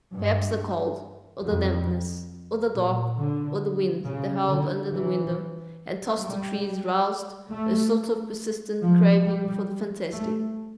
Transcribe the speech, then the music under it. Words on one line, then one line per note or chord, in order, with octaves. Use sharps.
Perhaps the cold, or the dampness, or the dark, or the wind that howled under the window and tossed the trees roused a sort of persistent craving for the fantastic.
G2
F2
A#2
D3
C#3
D3
E3
G3
A3
F3
G3
A3